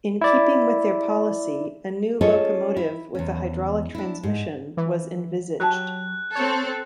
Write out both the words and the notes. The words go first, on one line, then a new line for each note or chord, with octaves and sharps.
In keeping with their policy, a new locomotive with a hydraulic transmission was envisaged.
E4 D5
C#4 F4 G#4 A4 C#5 D#5
E4
E2 C#4
D4 E4
G#2
E3
F#3 G4 A5 F#6
C4 A4 C#5